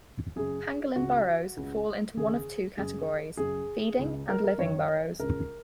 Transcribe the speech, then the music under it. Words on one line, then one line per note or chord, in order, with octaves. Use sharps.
Pangolin burrows fall into one of two categories: feeding and living burrows.
F#2 C#3 G#4
C#2 C#3 F#4
C#2 C#3
D#2 C#3 G#4
F#2 C#3 G#4
F#2 C#3 G#4
C#2 C#3
A#4
A#4
F#2 D#3 C#5
C#2 C#3 A#4